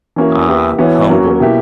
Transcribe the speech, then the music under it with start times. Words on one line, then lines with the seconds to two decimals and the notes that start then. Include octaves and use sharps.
uh, humble
0.16 E3 A#3 C#4 F#4 A#4
0.47 A#3 E4 G4 B4
0.79 E3 B3 F#4 C#5
1.10 F#3 A#3 C#4 F#4
1.40 B2 A#3 E4 G4